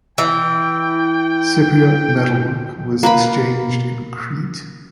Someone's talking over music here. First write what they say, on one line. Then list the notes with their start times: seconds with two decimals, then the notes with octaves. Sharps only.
Cypriot metalwork was exchanged in Crete.
0.18 E3 G5
3.03 A#3 B4 B5